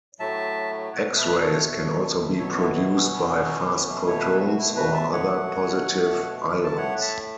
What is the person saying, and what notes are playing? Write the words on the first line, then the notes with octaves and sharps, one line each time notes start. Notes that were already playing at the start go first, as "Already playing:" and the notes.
X-rays can also be produced by fast protons or other positive ions.
A2 F#3 A3 E5 A5
B2 A3 C#5 F#5
B4 E5
A4 C#5
B2 A3
B2 F#3 B3 A4 C#5
E4 A4
E4
C#4
B2 F#3 B3
B2 A3
C#5
B4
A4
F#4
B2 A3 E4
F#4 B4
E5 A5
C#5 F#5
B2 A3
B2 A3
A5
A2 A3 C#5 F#5
E5 A5